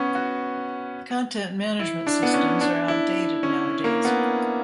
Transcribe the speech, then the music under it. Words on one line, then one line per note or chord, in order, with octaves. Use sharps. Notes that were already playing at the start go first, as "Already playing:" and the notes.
Content Management Systems are outdated now-a-days.
Already playing: B3 C#4
F#4
E4
D4
B3
C#4
D4
E4
C#4
A#3
B3